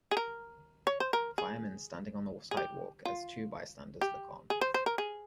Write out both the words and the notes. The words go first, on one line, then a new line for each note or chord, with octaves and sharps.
Firemen standing on the sidewalk as two bystanders look on.
G#4
A#4
C#5
C5
A#4
G#4
G#4
G4
F4
G4
G#4
C5
C5
A#4
G#4